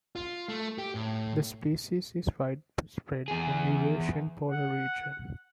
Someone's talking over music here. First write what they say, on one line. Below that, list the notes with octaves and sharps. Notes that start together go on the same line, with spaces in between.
The species is widespread in the Eurasian polar region.
F4
A3
G4
A2
E2 G#4
F#5